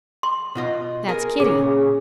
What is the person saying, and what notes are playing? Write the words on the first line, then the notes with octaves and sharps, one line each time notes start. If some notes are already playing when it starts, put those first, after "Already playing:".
"That's Kitty."
C6
B2 F4 D#5
G#4 A#4
A#2 C#3 C#4 G#4